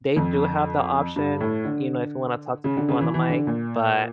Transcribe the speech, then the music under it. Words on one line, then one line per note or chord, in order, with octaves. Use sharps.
they do have the option, you know, if you wanna talk to people on the mic, but
F2
G2
A2
D3
C#3
D3
C#3
E3
E3
D3
A#2